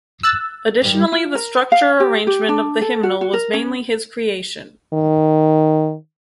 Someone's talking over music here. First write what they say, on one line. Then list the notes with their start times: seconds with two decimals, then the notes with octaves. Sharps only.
Additionally the structure or arrangement of the hymnal was mainly his creation.
0.23 E6 F#6 A6
0.82 G2 D#3 G3
1.12 F4
1.35 A#4
1.72 F5
2.00 G4
2.27 G4
2.49 D4
2.81 A4
3.03 F#4
3.21 F#4
3.33 A#4
3.54 C#4
4.93 D#3